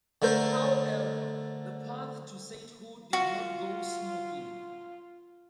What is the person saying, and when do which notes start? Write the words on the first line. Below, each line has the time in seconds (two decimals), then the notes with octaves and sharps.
However, the path to sainthood did not go smoothly.
0.22 D3 A3 A#4 C5
3.13 F4 F#4